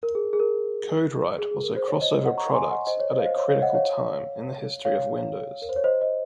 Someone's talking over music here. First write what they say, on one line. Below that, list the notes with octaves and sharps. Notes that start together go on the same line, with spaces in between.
CodeWright was a crossover product at a critical time in the history of Windows.
A#4
G#4
G#4
A#4
G#4
G#4
A#4
C5
C#5
C5 D#5
D#5 F#5
A#5 C#6
G#5 C6
D#5 F#5
C5 D#5
C#5
C5 D#5
F5
C5 D#5
C#5
C#5 F5
D#5 F#5
C#5 F5
C#5 F5
A#4
C5
C#5
C5 D#5
C5 D#5